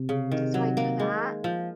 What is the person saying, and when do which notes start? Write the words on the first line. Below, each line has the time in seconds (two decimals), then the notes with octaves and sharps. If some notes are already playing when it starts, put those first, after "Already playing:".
so I do that.
Already playing: C3
0.09 C#3
0.32 D#3
0.54 F#3
0.77 A#3
1.00 G#3
1.44 F3